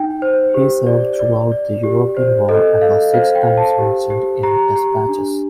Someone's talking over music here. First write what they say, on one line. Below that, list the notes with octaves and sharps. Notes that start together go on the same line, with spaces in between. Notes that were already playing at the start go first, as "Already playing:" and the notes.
He served throughout the European War and was six times mentioned in Despatches.
Already playing: D#4 G5
C5
G4
D5
D5
D5
G4
C5
A4 D#5
A4 F5
C5 F5
G5
C5
A5
G4
G4
G4 A#5
G4
D4